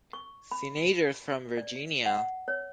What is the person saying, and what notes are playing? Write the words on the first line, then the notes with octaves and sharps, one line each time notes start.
Senators from Virginia.
C#6
B5
D5
F#5
C#5